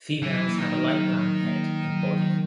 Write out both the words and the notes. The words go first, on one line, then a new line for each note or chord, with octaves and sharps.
Females have a light brown head and body.
E3 F#3
A#3
D#3
D#4
F#3
F#3
A#3
D#4
F#3
F#3